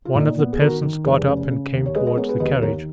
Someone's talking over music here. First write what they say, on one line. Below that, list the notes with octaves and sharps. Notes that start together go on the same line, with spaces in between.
One of the peasants got up and came towards the carriage.
F4
A#2 D#4
B3
G#4
D#3 F#4 A#4
D#3
F1 G#4 B4
C#3
C#3
D#2
C#5
G#3 B4 D#5
B4 D#5
B3 A#4 C#5
G#4 B4
D#2 B4 D#5
D#3 A#4 C#5